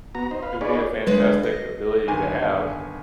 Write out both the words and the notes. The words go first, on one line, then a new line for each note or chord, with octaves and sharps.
It would be a fantastic ability to have.
B3 F#4 A#5
D#4 C5
B4 F5
D#4 F4 G#4 B4 C#5 D5
D3 G#3 B4
D#5
G1 D#3 G#5